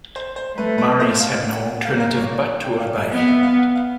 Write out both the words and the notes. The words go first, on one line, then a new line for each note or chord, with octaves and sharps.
Marius had no alternative but to obey.
C5
C5
A3 B4
B4
C5
F5
F#5
A#3 F5
F5
C#5
D5
G5
F5
E5
B3 D#5
E5
F5
F#5
F5